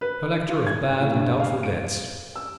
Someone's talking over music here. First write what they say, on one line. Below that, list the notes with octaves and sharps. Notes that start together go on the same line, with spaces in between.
Collector of bad and doubtful debts.
B4
F4
G#6
A2
G2
F5
D7
E6